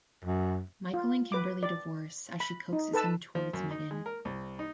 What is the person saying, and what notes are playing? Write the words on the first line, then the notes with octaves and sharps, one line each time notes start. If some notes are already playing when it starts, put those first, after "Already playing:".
Michael and Kimberly divorce as she coaxes him towards Megan.
F#2
F4
B4 D6
D5
B5
D#4
A4 B4 A5 E6
F3
F#2
D#4
G#3
A#4
C2
D#4